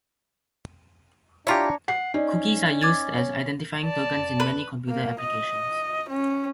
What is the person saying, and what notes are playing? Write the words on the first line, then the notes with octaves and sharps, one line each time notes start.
Cookies are used as identifying tokens in many computer applications.
D4 E4 F4 G4 C#5 A#5
F#5 C7
C#4 D#4 D5
D6 G#6 A6
C#5
D5 A5
B4
A#3
D#5
C#4